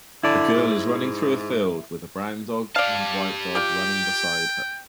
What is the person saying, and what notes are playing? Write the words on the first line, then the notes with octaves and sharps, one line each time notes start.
A girl is running through a field with a brown dog and white dog running beside her.
D3 E4 D5
G#2
G4 D5 F5 A5
F4 D5 G5